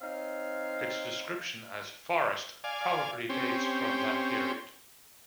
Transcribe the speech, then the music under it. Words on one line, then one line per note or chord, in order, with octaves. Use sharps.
Its description as 'forest' probably dates from that period.
C4 D#4 C#5 F5
D5 F5 G#5
C4 C#4 G4